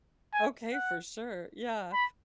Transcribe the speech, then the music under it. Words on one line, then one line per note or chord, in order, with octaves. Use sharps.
Okay, for sure, yeah.
G#5
F#5
B5